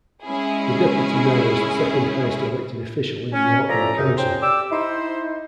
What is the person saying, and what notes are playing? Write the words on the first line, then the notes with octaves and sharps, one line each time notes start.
The deputy mayor is the second highest elected official in the Auckland Council.
G#3 C#4 E4 G#4
C#4
A2 F3 C#4 D5 E5 A#5
F#2 D#4
F2 C#4 C5 G5
G4 D5 D6 E6
D#4 E4 C5